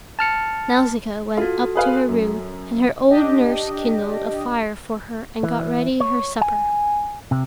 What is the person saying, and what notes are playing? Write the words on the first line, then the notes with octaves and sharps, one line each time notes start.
Nausicaa went up to her room, and her old nurse kindled a fire for her and got ready her supper.
A5 F6 C#7
F4 F#4 A4
G#4 B4 F5
F#2
D4 G4 D#5
E3
C#5
G#5
C3